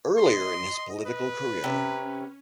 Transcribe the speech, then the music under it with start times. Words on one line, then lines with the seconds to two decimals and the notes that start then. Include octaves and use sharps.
Earlier in his political career.
0.18 D#5 C6
1.07 B4
1.64 C3 C#4